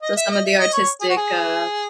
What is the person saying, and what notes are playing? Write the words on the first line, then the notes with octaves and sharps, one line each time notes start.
So, some of the artistic, uh,
D#5
E5
D#5
E5
D#5
C#5
G#4
F#4
G#4